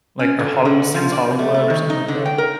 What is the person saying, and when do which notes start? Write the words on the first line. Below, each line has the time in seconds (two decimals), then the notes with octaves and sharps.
Like a Hollywood Sims Hollywood or something like that?
0.19 C#4
0.39 D3
0.65 D3
0.94 F3
1.12 D5
1.39 A3
1.54 A3
1.70 D#3
1.90 D#4
2.08 D3
2.25 G5
2.38 A#4